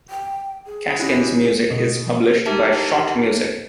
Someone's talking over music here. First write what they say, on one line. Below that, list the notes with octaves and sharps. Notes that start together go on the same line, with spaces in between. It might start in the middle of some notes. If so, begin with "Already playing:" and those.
Casken's music is published by Schott Music.
G5
G#4
C#4 E4 G4
B2
D#4 G4 A#4 E5 A5